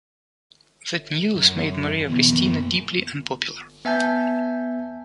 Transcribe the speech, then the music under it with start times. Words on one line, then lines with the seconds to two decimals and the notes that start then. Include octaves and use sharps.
That news made Maria Christina deeply unpopular.
1.36 F#2
2.08 B1 E3 B3
2.30 F#2 A#3
3.85 B3 E5 G#5 A5 G6